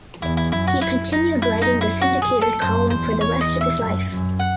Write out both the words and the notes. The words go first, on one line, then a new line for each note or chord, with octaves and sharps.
He continued writing the syndicated column for the rest of his life.
E2 E4
E4
F#2 E4
F#4
F#2 E4
D#4
E4
D#4
E4
F#4
G#4
A4
F#2 C5
E2 C5
C#5
D#5
E5
F#2
F#2
F#5